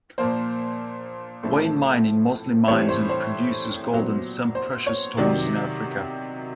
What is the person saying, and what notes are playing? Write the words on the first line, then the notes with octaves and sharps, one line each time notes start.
Wayne Mining mostly mines and produces gold and some precious stones in Africa.
A#2 F3 A#3 C5
A2 F3 A3 C4
A2 E3 G3 C4 C#5
C5
C5
A#2 F#3 B3
C5
C#5
C3 D#3 F#3 D5